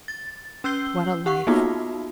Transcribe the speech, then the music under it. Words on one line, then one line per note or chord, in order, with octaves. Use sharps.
What a life!
A6
C#4 E6 G6 C7 G7
G4 F#5 C#6
A#3 B3 D#4 F4 F#4